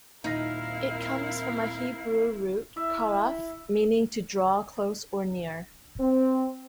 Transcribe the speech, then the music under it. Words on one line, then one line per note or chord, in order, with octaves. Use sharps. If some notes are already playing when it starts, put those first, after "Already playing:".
It comes from a Hebrew root, "karav", meaning "to draw close or 'near'".
D#1 C4 D#4 E4 A#4 F5 A#6
E4 E5
C4